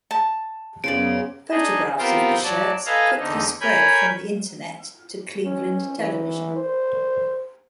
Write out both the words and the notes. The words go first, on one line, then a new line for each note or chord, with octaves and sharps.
Photographs of the shirts quickly spread from the Internet to Cleveland television.
A5
F#2 C#3 B3 C#4 C5 D5 D7
D4 D#4 G#4 D#5
B3 C4 F4 G4 A#4 C5
F#3 D5 A5
A4 B4 D#5 F5 G#5 A#5
E2 D3 D#4
A#4 C#5 G#5 B5 G6 G#6
C#4
E3
C5